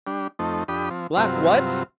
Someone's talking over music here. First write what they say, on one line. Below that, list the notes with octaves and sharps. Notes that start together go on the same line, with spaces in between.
"Black what?"
G3 D4
F2 A3 C4 D#4
F2 D4 G4 B5 D#6
F3 C4
G2 C3 F#3 C4 F4